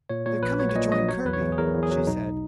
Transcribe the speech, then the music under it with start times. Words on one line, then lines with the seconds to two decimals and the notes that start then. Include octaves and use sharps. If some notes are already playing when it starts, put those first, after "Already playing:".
"They're coming to join Kirby," she said.
0.09 A#2 C#5
0.26 A#2 C#5
0.42 A#1 B4
0.59 F#3 C#5
0.69 C#5
0.75 A#2 D#5
0.92 A#1 D#5
1.08 F#3 C#5
1.25 E2 B4
1.33 C#5
1.41 E2
1.52 G#4
1.58 E2 A#4
1.75 E2
1.83 G#4
1.91 F#3
2.07 B1 D#4